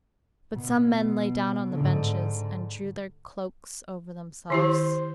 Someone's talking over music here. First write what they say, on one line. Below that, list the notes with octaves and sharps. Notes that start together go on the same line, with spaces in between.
But some men lay down on the benches and drew their cloaks over themselves.
B2
G#2 D3
D#3 E4 G4 C5